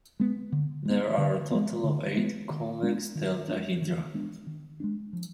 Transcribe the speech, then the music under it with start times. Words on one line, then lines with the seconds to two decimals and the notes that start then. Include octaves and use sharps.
There are a total of eight convex deltahedra.
0.20 G#3 B3
0.52 D3
0.85 G#3 B3
1.18 D3
1.51 G#3 B3
1.84 D3
2.17 G#3 B3
2.50 D#3
2.83 G#3 B3 D4
3.15 D#3
3.48 G#3 B3 D4
3.82 D#3
4.14 G#3 B3 D4
4.47 D#3
4.80 G#3 B3 D4
5.13 F3